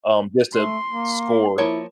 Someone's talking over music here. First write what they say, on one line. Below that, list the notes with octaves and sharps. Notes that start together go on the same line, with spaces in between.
um, just to score.
A3 C6
A#3
F3 A#3 E4 C#5